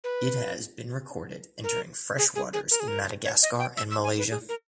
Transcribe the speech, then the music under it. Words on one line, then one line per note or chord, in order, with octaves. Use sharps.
It has been recorded entering fresh waters in Madagascar and Malaysia.
B4
A#4
G#4
G#4
G#4
A#4
G#4
A#4
C#5
D#5
G5
E6
E6
G#5
B4
G#4
A#4